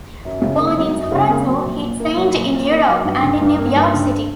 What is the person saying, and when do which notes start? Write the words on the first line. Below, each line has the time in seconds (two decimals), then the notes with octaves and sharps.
Born in Toronto, he trained in Europe and in New York City.
0.25 F#2
0.41 C#3
0.59 A#3
0.77 F#3
0.94 F#2
1.12 C#3
1.30 A#3
1.48 F#3
1.66 A#1
1.83 A#2
2.00 A#3
2.17 F#3
2.35 A#1
2.53 A#2
2.71 A#3
2.89 F#3
3.05 G2
3.22 D3
3.41 G2
3.59 A#3
3.76 G2
3.94 D3